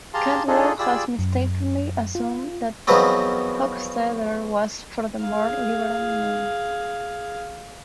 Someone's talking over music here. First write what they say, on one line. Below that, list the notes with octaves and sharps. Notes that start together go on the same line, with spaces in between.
Cantwell has mistakenly assumed that Hockstader was for the more liberal man.
G4 G#4 F5 A5 A#5 C6
D4 D#4 F4 G#4 A4 D#5
F4 G4 G#4 D5 B5 E6
F#2
F4
E2 D#3 F3 F#3 B3 C4
G#4 F5